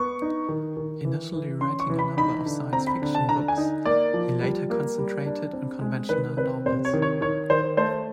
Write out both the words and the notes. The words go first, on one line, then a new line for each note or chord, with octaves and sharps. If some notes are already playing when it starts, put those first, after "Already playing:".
Initially writing a number of science fiction books, he later concentrated on conventional novels.
Already playing: B3 C#6
D#4
D#3
D#3
E3
E3
C#4 C6
C#6
E3
B5
D#4 B5
D3
C4 A#5
B5
D3
A5
D3 A#5
G#5
D#4
A#3 D5
F3
G3
A#3
G3
D4
C4
G#3
D#3 B4
C4 B4
C3 C5
C#5
D#3
C#5
D#3 C#5
D#3 C5
A3 C5